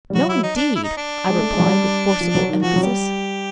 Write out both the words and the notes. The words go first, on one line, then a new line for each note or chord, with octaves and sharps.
"No, indeed!" I replied with forcible emphasis.
G3
F#3 F#4
E4
D#4
D4
E4
D#4
D4
G#3
A3
G#3
F#3
G3
F3
F#3
D#3
F3 F#4
F#3
G3 G4